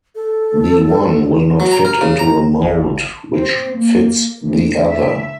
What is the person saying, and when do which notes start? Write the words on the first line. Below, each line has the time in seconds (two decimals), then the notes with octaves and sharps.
The one will not fit into a mould which fits the other.
0.15 A4
1.60 F#3
1.71 A#5
1.85 A#4
2.01 C#3
2.19 A#5
2.62 G#1
3.37 C4
3.77 A#3
4.43 D2
4.90 E5